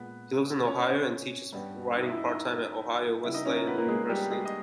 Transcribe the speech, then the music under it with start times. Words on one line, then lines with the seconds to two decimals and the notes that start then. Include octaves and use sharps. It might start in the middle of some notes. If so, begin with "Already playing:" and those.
He lives in Ohio and teaches writing part-time at Ohio Wesleyan University.
Already playing: A#2 G#3 B3 B4
0.66 C#4 C#5
0.88 C#4 C#5
1.53 G2 G3 B3
1.95 D#4 D#5
2.06 E4 E5
2.17 D#4 D#5
2.28 D#4 D#5
3.24 C#3 G3 B3 E4 E5
3.34 D#4 D#5
3.45 C#4 C#5
3.56 A#3 A#4
3.67 B3 B4
3.78 A#3 A#4
3.88 G#3 G#4
4.09 G3 G4
4.31 G#3 G#4
4.45 D#5